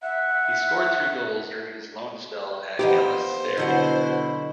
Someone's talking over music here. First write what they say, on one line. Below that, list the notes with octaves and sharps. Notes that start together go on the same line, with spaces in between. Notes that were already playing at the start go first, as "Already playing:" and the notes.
He scored three goals during his loan spell at Galatasaray.
E5 F#5
F3 B3 D#4 G4 C5 D#5
B2 D3 F#3 E4 F#5